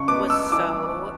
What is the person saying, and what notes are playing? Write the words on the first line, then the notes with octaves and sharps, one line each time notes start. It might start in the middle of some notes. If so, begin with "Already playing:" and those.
was so
Already playing: C#3 C#6
B3 D6
E6
E3 D6